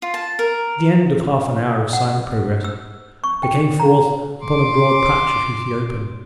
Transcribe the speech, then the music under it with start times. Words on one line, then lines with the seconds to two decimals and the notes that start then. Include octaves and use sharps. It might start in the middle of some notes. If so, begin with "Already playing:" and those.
At the end of half an hour of silent progress they came forth upon a broad patch of heathy open.
0.02 F4
0.14 A5
0.39 A#4
1.93 F#5
2.64 E6
3.24 C#6
3.43 G5
3.80 A#5
4.44 C6 D6